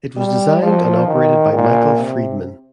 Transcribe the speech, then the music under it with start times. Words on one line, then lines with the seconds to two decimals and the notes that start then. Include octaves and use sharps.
It was designed and operated by Michael Freedman.
0.17 G3
0.62 F3
1.08 D#3
1.53 A#2
2.00 C3